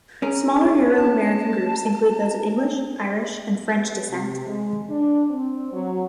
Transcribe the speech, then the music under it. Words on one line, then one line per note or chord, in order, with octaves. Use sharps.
Smaller Euro-American groups include those of English, Irish, and French descent.
C#4 G#4 A#4
A5
B3
C3
G#3
D4
C4
F#3